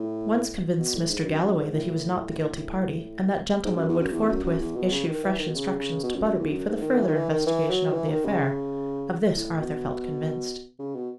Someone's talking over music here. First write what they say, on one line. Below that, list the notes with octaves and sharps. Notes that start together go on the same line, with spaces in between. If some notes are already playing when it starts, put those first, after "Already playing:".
Once convince Mr. Galloway that he was not the guilty party, and that gentleman would forthwith issue fresh instructions to Butterby for the further investigation of the affair: of this Arthur felt convinced.
Already playing: A2
B2
A2
G#2
F#2
F#2
G#2
A2
G#2
F#2
E2
F#2
E2
F#2
F#2
E2
B2
C#3
D#3
E3
D#3
B2
C#3
C#3
B2
F#2
F#2
E2
F#2
G#2
D#3
E3
D#3
E3
D#3
E3
F#3
E3
D#3
C#3
A2
B2
C#3
B2